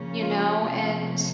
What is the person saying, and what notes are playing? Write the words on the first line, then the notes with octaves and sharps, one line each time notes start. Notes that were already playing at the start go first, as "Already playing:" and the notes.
you know, and
Already playing: C#3 F3 A#3 C#4
F4
C3 F3 A#3 C#4 F4